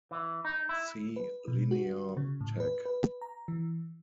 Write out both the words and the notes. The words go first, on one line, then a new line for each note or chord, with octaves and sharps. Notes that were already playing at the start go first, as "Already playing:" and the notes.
See Linear Tech.
E3
D#4
E4
B4
B2
F#4
C#3
A2
B4
B4
A#5
E3